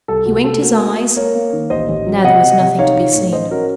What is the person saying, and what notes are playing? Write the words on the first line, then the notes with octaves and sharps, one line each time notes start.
He winked his eyes; now there was nothing to be seen.
C2 A4
C2 F#4
A3 A4
A#3 F#4 A#4
A#3
A#3
A#3 A#4 C#5
A#3
D#3
A1 C5 D#5
A1
F#3
C3 D#5 F#5
C3
C3
D#4 C#5 F5
D#4
A2
C#4 C5 D#5
C#4 F#4 A#4